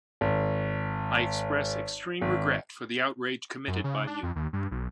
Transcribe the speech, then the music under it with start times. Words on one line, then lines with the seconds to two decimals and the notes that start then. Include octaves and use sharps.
I express extreme regret for the outrage committed by you.
0.21 G#1
2.21 G#1
3.68 F#2
3.84 C#3
4.07 D4
4.23 F2
4.36 D#2
4.53 G2
4.71 B1